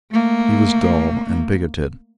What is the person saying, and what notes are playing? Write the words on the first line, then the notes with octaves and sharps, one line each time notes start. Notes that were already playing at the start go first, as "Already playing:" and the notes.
He was dull and bigoted.
A3 A#3